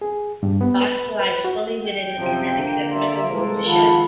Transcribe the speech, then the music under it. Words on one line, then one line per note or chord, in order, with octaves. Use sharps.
Bath lies fully within the Connecticut River watershed.
G#4
G2
B3
B4
B4
F#4
G5
F#2 C3 F3 C4
D3 A#3
A4 E5 C6
C2 G#2 G#3 A4
D#3 F3 F4 F5 F#5 A5 B5